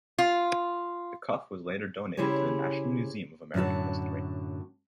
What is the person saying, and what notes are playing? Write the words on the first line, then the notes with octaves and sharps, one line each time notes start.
The cuff was later donated to the National Museum of American History.
F4
C#3 E4 G4 G#4 C5 C#5
F#2 A2 D3 F#4 A5